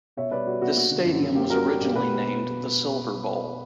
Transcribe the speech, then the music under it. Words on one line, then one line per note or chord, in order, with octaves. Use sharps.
This stadium was originally named The Silver Bowl.
B2 C#5 E5
G3 B4 D5
G3 F#4
B2 F#4
A#3 F#4
D3
F#2
F#2
A#3 G4
G3 F#4 A#4
G3 G4
A#1 G4
B2 G4 B4